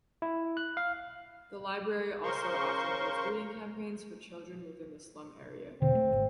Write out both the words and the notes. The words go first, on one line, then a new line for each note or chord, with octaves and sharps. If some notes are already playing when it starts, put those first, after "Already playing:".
The library also often holds reading campaigns for children within the slum area.
E4
F#6
F5
C#3 A#4 C5 C6 C#6
E1 B2 D3 C4
A3
G#1